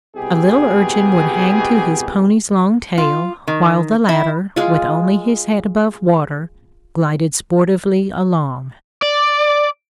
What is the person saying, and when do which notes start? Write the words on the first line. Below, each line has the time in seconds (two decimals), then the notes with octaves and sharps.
A little urchin would hang to his pony's long tail, while the latter, with only his head above water, glided sportively along.
0.16 C2 B2 G4 G#4
2.98 F4
3.47 D#3
4.09 E4
4.56 G#3 F4
9.02 D5